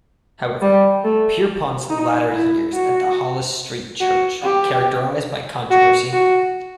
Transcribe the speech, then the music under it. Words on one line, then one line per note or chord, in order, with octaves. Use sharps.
However, Pierpont's latter years at the Hollis Street Church were characterized by controversy.
G3
A3
D#4
E4
F#4
F#4
G4
F#4
F#4